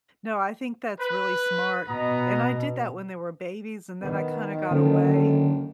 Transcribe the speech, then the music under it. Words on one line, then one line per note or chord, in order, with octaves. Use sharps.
No, I think that's really smart and I did that when they were babies and then I kinda got away
B4
B2 B3 A#5 D#6
D#3 B3
F#1 D3 A4